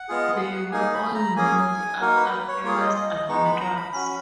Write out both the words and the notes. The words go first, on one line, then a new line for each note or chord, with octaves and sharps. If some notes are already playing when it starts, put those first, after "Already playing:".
They were all named after famous admirals.
Already playing: F#5
G#3 B3 F4 G#4
A#3 D#4 G#4 G#5
B5
A#5
A#3 C#4 G#4 G#5
A#3 D#4 F#4 A#4
B4
B4
C#5
A#3 F4 G#4 C#5
D#5
D#5
D#5
G#3 B3 D#4 C#6
B5
A#5
B5
C#4 F#4 B5